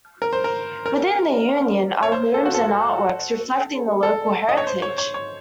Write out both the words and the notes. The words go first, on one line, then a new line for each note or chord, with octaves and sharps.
Within the Union are rooms and artworks reflecting the local heritage.
A#4
C5
A#4
A#4
C#5
C5
A4
F#4
A4
A4
D#5
C#5
C5
C#5
C#5
C#5